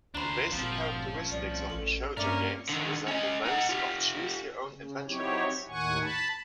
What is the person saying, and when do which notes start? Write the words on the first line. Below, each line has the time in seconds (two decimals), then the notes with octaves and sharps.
The basic characteristics of bishojo games resemble those of Choose Your Own Adventure books.
0.15 D2 D4 C5 A#5 B5
0.52 G1 A#2 F3 C4 F#4
0.96 A3 C4 C#4
1.32 C2 D5
1.70 A1 A4
2.17 G2 A#3 C4 C#4 A#4 D5 E5 D6
2.69 D3 D#3
3.08 C#4 D#5
3.45 D#4 F#5
3.69 F4 G4
4.70 C#3
5.06 F#3 C4 D#4 E4 G4 C#5
5.68 D#2 A2 D#3 F#5 G#5 C#6
6.01 A5 B5